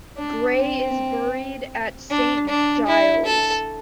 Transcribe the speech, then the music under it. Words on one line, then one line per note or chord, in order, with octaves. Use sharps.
Gray is buried at Saint Giles'.
D4
C4
D4
D4
E4
A4